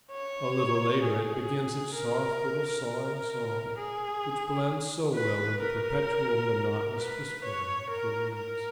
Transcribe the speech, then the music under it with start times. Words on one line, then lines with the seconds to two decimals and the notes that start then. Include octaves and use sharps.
A little later it begins its soft little sawing song, which blends so well with the perpetual, monotonous whispering of the reeds.
0.12 C#5
1.03 G#4
1.94 A#4
2.86 A#4
3.78 G#4
5.14 B4
5.61 A#4
6.98 B4
7.44 C#5
7.89 A#4
8.36 A#4